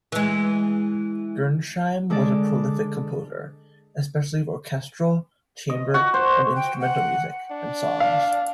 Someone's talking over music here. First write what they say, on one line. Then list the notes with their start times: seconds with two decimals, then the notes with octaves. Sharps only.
Gernsheim was a prolific composer, especially of orchestral, chamber and instrumental music, and songs.
0.12 E3 G#3
2.10 D3 G#3 D4 D5
5.70 D#5
5.94 F#4
6.14 C5
6.56 G5
6.81 F#5
7.51 D4
8.00 F5